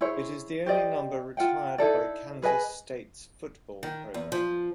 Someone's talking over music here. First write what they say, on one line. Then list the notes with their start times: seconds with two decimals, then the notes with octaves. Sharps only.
It is the only number retired by Kansas State's football program.
0.01 E4 G#4 C5 C#5
0.66 G4 C5 D5 D#5
1.37 F4 F#5 G5
1.78 D#4 E4 A4 D5
2.42 G#4 B4 D#5 G#5
3.83 D#3
4.14 E2
4.32 F3